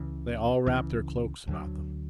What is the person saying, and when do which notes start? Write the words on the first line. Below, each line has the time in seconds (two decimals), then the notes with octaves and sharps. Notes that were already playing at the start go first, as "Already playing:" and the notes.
They all wrapped their cloaks about them.
Already playing: C#2 C#3 E3
0.67 C#2 C#3 E3
1.47 D2 D3 F#3